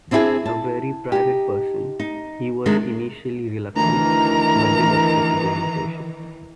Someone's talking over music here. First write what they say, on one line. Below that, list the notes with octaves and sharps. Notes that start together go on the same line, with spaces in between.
A very private person, he was initially reluctant, but did accept the invitation.
C4 D4 E4 F4 G#4
A5
D#4 G4
D#4
C3 D#3 G#3 D4
D2 D#3 E3 D#4 E4 A#4 A#5